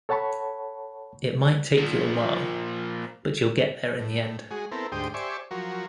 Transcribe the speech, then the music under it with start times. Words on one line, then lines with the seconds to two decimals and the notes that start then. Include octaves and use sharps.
It might take you a while, but you'll get there in the end.
0.09 A4 C#5 F#5 A5 B5 C#6
1.78 A#2 F3
3.99 A2
4.51 G#3 F#4 G#4
4.72 B3 C4 E4 A4 A#4
4.92 D2 G#2 G4 C5 G5 D#6
5.14 G4 C5 D5 E5 G#5 C#6
5.51 F3 F#3 F#4 A#4